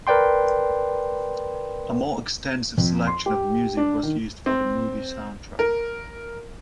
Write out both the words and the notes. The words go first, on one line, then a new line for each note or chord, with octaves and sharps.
A more extensive selection of music was used for the movie soundtrack.
A#4 B4 D5 G5 C6
F2
C6
G4
D4
D#3
C4
A#4